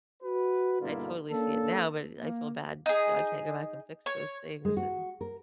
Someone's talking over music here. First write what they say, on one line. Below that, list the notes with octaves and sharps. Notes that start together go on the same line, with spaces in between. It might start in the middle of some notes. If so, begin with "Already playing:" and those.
I totally see it now, but I feel bad, you know, I can't go back and fix those things, and
F#4 B4
G2 B2 D3 A#3 E4 F4
A#3 C#4 D4 A4
A#3
D#4 G#4
C#5
G#3
F#4
A#4